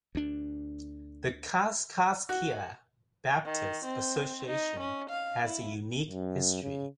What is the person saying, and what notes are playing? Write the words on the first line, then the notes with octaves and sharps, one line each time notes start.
The Kaskaskia Baptist Association has a unique history.
D2 D4
F#4
D#3
C4
D#4
C#4
F5
E4
F#2
C#3